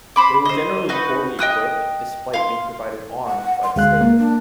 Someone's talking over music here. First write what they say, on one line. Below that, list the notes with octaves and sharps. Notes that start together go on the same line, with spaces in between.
They were generally poorly-equipped, despite being provided arms by the state.
C5 B5 D6
C5 D#5
D#4 F#4 B4
D#5 G5 D#6 F#6
F5 C6
F#5
C6
D2 G#3 F5 F#6
A#3
D4